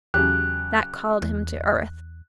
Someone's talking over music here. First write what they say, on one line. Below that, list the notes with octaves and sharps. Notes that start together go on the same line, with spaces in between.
That called him to earth.
E2 C#3 F#3 G4 F#6
E2